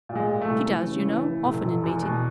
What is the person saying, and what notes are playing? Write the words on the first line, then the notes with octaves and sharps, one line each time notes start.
"She does, you know, often in meeting."
A#2
G#3
A#2
A3
C2
E3
C#3
E3
E3
F1
F1
E2
B2